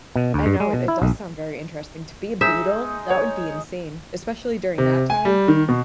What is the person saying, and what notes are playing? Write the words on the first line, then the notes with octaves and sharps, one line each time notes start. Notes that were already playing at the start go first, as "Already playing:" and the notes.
I know it it does sound very interesting to be a Beatle, that would be insane, especially during that time.
B2
D2
G2
G#3
B2
E4
B1
G#3 D#4 E5
C#5
C3
G#5
G3
D#3
B2